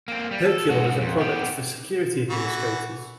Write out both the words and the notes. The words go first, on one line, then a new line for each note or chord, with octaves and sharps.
Herculon is a product for security administrators.
A#3 C4
G3
A4
G#2 F#4
F2
B3 G4
E3 F#4